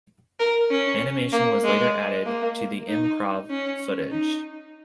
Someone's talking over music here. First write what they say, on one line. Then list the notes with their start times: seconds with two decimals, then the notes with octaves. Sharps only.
Animation was later added to the improv footage.
0.40 A#4
0.71 C#4
1.33 A#3
1.64 G#3
2.26 A#3
2.89 D#4
3.50 C#4
4.12 D#4